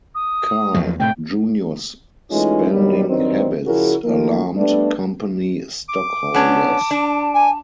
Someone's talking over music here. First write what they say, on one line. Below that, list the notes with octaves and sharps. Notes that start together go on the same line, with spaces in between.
Carl, Junior's spending habits alarmed company stockholders.
D#6
E2 F3 F#3
A2 C3 A3 G5
E3 G#3 A3 C#4 D#4 F4
D#2 B2 F#3 G3
G2 D#3 F#3 C4
C#3 F3 E4 F#4 G#4 A#4
D#3 F3 A3 A#3
G3 A3 B3 D4
D6
B3 C#4 D4 A5
D4
G#5